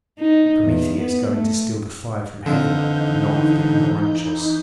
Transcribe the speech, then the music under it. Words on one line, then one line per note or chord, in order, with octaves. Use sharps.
Prometheus going to steal the fire from heaven could not have been more anxious.
D#4
E2
B3
A3
F2 D3 E3 D#4 G6